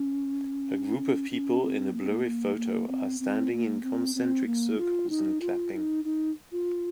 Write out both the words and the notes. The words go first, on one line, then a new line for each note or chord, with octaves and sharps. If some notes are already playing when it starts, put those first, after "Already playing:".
A group of people in a blurry photo are standing in concentric circles and clapping.
Already playing: C#4
C#4
C4
A#3
C4
A#3
A#3
A#3
C4
C4
A#3
C4
C4
A#3
F4
D#4
F4
F4
D#4
D#4
F4